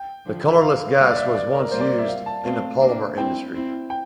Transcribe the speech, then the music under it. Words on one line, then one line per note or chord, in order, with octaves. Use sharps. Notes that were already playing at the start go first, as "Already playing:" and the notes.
The colourless gas was once used in the polymer industry.
Already playing: G5
D3 F3
E5
D3 F5
G3 A#3 F5
D5
E5
D5
A#4
G3 A#3 C5
D5
E5
F5
A5
A3 C4 F5
A#3 D4
C4 E4 G5
C4 E4
G5